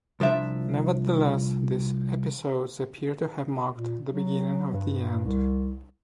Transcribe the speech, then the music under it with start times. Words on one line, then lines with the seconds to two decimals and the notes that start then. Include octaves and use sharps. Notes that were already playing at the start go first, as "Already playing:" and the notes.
Nevertheless, these episodes appear to have marked the beginning of the end.
0.20 C2 F3 D4 E5
3.72 A#2
4.11 F#3
4.73 G2
5.25 C2